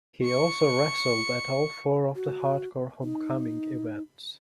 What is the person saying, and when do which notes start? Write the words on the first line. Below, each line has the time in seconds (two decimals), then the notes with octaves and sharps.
He also wrestled at all four of the Hardcore Homecoming events.
0.24 C#6 C#7
2.15 F#4
3.02 D#4